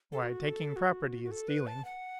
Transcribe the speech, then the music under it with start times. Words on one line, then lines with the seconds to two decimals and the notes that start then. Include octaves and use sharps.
"Why, taking property is stealing."
0.12 A4
0.22 F#4
0.49 A4
0.76 F#4
1.24 F#4
1.31 A4
1.48 B4
1.67 A5
1.85 F#5